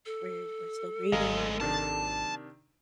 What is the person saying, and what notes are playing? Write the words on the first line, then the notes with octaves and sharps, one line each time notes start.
we're s we're still grieving, we're still,
A4
G#1 D2 G#3 D#5 F5 A#5
C3 D#3 D4 A5